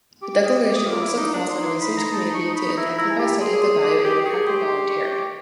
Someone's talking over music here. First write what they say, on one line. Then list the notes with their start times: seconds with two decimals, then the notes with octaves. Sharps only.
The declaration also calls on the research community to intensify study of the value and impact of volunteering.
0.22 G4 D6
0.43 D#6
0.65 D6
0.76 D#6
0.86 F4 D6
0.97 F4
1.02 E4
1.17 D#4
1.34 D4
1.49 D#4 C6
1.66 C6
1.81 B5
1.97 A#5
2.13 A5
2.34 C#6
2.56 B5
2.77 E4 A#5
2.98 E4 A#5
3.10 G#5
3.19 G4 A5
3.41 G#4 C6
3.62 C6
3.84 D6
4.04 G4 D6
4.26 G#4 C#6
4.47 G4 C6
4.68 C6
4.89 C#6
5.11 D6